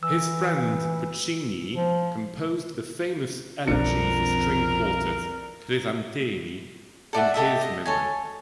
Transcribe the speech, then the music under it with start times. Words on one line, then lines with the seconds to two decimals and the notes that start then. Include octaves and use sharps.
His friend Puccini composed the famous elegy for string quartet "Crisantemi" in his memory.
0.03 E3 E6
1.75 F3
3.67 B1 F2 D3 C4 D4 A#4 C#7
7.13 A4 D5 E5 F#5
7.34 G4 A4 D#5 E5
7.61 D#5
7.86 A4 C#5 G#5